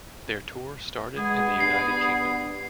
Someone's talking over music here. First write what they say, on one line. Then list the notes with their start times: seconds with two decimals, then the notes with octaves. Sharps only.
Their tour started in the United Kingdom.
1.17 G#3 G#4 B4 F#5 B5
1.61 B3 D4 G4 C7